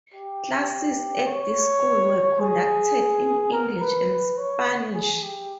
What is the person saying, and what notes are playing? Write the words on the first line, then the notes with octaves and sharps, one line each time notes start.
Classes at this school were conducted in English and Spanish.
G4
C#5
G#4
A#4
B4
B4
C#5
G#4
G4